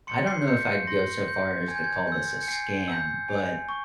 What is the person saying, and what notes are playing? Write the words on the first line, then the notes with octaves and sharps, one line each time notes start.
I don't know if I'd go so far as to call this a scam, but
C6 C#7
C7
G6 C#7
C#7
C7
C6 A#6
G6
G#5 G#6
G6
G#6
E6 G6
C#7
G#5 C7
E6 G6
G#5
C#6